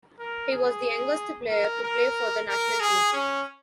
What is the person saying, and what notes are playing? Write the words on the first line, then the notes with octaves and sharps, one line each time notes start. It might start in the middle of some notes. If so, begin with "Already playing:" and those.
He was the youngest player to play for the national team.
A#4
G#4
A#4
A#4
A#4
G#4
C#4